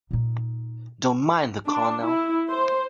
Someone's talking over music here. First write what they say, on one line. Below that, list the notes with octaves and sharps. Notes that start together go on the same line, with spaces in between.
Don't mind the Colonel.
A#2 D#4
D4
E4
C5